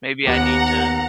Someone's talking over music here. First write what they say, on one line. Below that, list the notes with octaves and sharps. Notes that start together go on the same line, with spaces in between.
Maybe I need to
D#2 B3 G4 F#5 A#5